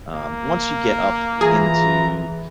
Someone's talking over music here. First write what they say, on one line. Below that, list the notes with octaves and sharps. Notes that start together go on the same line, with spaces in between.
Um, once you get up into
A#3
E3 F4 G#4 A#5